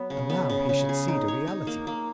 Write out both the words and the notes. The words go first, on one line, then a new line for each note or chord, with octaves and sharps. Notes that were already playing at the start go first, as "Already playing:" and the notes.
And now he should see the reality.
Already playing: F#3 B3
C#3
B3
C#3
C#3
G#4
D#4
C#5
D#4
A#3
A#3